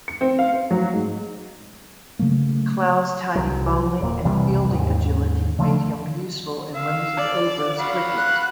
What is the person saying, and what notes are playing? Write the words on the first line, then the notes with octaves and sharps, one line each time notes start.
Clough's tidy bowling and fielding agility made him useful in limited-overs cricket.
C#7
C4
F5
C5
F#3
G#2
C#3 F#3 A3 A#3
C2 F#3
D#1 A#2
B1 E2 C3 G3
D#2 G#2
C#3 F3 A3
F5 E6
D5
F#4 F5 B5
F#6